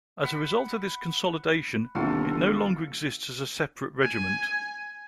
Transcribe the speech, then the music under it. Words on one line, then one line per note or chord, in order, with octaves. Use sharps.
As a result of this consolidation, it no longer exists as a separate regiment.
F#5 B5
G1 D#2 C3 F4 F#4 A4
G#5